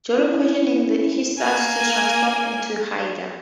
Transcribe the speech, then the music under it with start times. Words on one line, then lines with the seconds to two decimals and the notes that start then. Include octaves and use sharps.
During questioning he starts to transform into Hyde.
0.18 C#4 E4
1.38 A#3 G#5